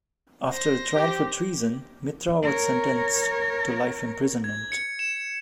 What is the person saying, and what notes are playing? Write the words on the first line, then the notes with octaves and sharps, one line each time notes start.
After a trial for treason, Mitra was sentenced to life imprisonment.
C5 A#6
G4
A#4 C#5
G#6
C#7
E7